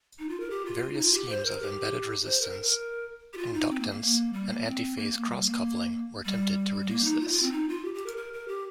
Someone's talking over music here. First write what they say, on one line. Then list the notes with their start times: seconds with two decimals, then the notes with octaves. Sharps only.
Various schemes of embedded resistance, inductance and antiphase cross-coupling were attempted to reduce this.
0.19 D#4
0.29 F4
0.40 A#4
0.50 G4
0.65 F4
0.78 G4
0.82 F4
0.93 D#4
1.03 F4
1.15 G4
1.29 C5
1.46 A#4
1.62 G4
2.26 C5
2.41 A#4
2.52 A#4
2.63 A#4
3.33 G4
3.38 F4
3.53 D#4
3.70 C4
3.80 A#3
3.90 A#3
4.01 A#3
4.33 G3
4.50 A#3
4.65 C4
4.96 A#3
5.14 A#3
5.30 G3
5.46 A#3
6.25 G3
6.89 A#3
7.04 D#4
7.21 F4
7.32 F4
7.42 C4
7.52 D#4
7.68 F4
7.84 G4
7.95 G4
8.06 A#4
8.17 A#4
8.33 A#4
8.48 G4